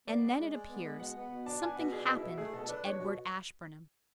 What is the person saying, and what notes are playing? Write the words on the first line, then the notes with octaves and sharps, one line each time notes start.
And then, it appears, something happened to Edward Ashburnham.
B3 D5
G#3
G#3
G#3
B3
G#3
B2 F#5
B3
B2
D4 A5
B3 G#5
B2 F#5
D4 G#4
B2
E4
B2
A3 G#4
B2 A4
A4
D4 B4
D4 C#5
B2